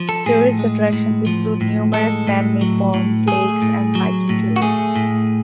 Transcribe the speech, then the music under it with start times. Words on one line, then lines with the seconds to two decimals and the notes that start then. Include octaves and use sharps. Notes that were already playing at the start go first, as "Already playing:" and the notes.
Tourist attractions include numerous man-made ponds, lakes, and hiking trails.
Already playing: F3
0.09 A4
0.26 A2 G#4
0.59 G#3
0.93 A2
1.27 F3
1.61 A2
1.93 G#3 A4
2.27 A2
2.61 F#3
2.94 A2
3.28 A3 G#4
3.62 A2
3.95 F#3
4.29 A2
4.56 F#4
4.62 A3 G#4
4.96 A2